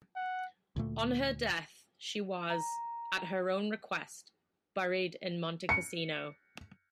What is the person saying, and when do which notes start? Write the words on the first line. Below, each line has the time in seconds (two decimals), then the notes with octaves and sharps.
On her death, she was, at her own request, buried in Montecassino.
0.16 F#5
0.76 D2 A#2 A3
2.50 A#5
5.69 C#7